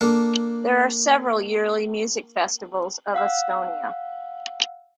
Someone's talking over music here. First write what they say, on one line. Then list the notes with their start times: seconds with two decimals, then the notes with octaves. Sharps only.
There are several yearly music festivals of Estonia.
0.01 A#3 D4 A4
3.14 F5 F#5 E6